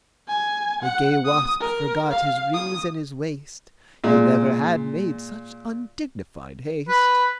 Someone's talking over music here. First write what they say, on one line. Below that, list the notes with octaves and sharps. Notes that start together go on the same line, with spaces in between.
The gay wasp forgot his rings and his waist, He never had made such undignified haste.
G#5
F#5
D#6
A#4
F5
D#6
A#2 G#3
B4